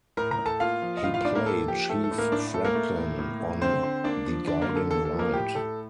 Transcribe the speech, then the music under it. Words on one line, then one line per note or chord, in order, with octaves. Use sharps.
He played Chief Franklin on "The Guiding Light".
A2 A#4 A#5
A#4 A#5
A2
A4 A5
A#3 F4 F5
F3
D#5
A2 F4 F5
F4 F5
A2 D4 D5
A#3 A#4
A#3 A4
F3 G4
A3 A4
A4
A2
A#3 A#4
A2 D4 D5
A3 A4
A#3 A#4
A3
A2
A2
A3
D3 C4 C5
D3
A#3 D4 D5
F3
D3 D4 D5
A#3 A#4
D3
A4
A#3 A4
A4
F3
A#3 A#4
A2 G4
A2 A4